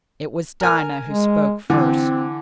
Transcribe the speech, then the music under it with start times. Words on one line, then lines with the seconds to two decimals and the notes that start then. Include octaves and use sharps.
It was Dinah who spoke first.
0.61 A#4 G#5 F6
1.09 G#3
1.70 D3 E3 C4